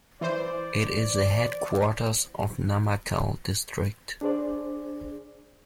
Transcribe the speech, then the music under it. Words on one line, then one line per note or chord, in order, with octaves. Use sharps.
It is the headquarters of Namakkal district.
E3 C5 D5
D4 G#4 C5 D5